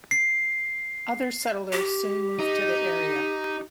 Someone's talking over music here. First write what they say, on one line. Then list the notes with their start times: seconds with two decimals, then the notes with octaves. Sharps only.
Other settlers soon moved to the area.
0.11 C7
1.72 G4
2.39 D#4